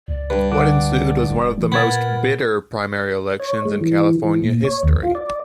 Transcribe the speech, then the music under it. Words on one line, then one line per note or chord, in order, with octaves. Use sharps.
What ensued was one of the most bitter primary elections in California history.
C#2 D5
G2 B4
D3 F#5 D6
F1
E3
A#2 B3 A#4 B5 G#6 A6
C#5
G#3
E3
E3
A#2
C#5
D#2
F4
D5